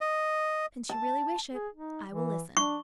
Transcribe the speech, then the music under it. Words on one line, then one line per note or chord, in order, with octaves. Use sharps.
"Since you really wish it, I will listen."
D#5
A5
G#4
D#4
E3
D4 C#6